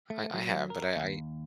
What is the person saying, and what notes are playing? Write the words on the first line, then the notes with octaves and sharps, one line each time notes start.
I I have, but I
A3
F#3
A#4
D#2